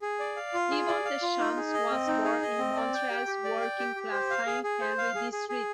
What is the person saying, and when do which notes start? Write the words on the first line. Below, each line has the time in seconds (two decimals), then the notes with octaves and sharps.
Yvon Deschamps was born in Montreal's working-class Saint-Henri district.
0.02 G#4
0.20 D5
0.37 F5
0.54 F4
0.71 G#4
0.88 D5
1.05 F5
1.22 F4
1.39 D#4
1.56 G#4
1.74 D#5
1.90 C4
2.07 D#4
2.24 G#4
2.42 D#5
2.58 C4
2.76 D5
2.94 G5
3.10 G4
3.27 G4
3.44 D5
3.61 G5
3.79 G4
3.96 G4
4.12 C5
4.30 F5
4.47 G#4
4.63 G#4
4.81 C5
4.98 F5
5.15 G#4
5.32 G#4
5.49 G#4